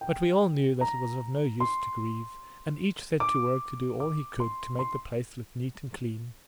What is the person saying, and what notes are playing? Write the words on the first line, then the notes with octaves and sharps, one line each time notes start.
But we all knew that it was of no use to grieve, and each set to work to do all he could to make the place look neat and clean.
G5
A#5
C6
D6
D6
C6
C6